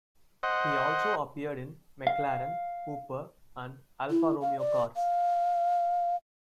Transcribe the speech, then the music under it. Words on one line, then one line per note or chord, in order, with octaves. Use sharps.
He also appeared in McLaren, Cooper and Alfa Romeo cars.
C5 D#5 F#5
F5
E4
F5
D5
F5